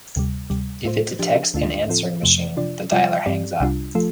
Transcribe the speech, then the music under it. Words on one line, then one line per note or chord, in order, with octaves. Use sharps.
If it detects an answering machine, the dialer hangs up.
D2 C3 G3
D2 C3 G3
A2 A3 F4 C5
F3 D4 G4
D2 D3 A3 D4 F4
A2 F3 C4 F4 A4
F2 C3 F3 A3
C3 F3 D4 F4 D5
C3 G3 F4 D5
G2 G3 C4 G4 D5
C2 C3 G3 D4 F4
F3 A3 F4 A4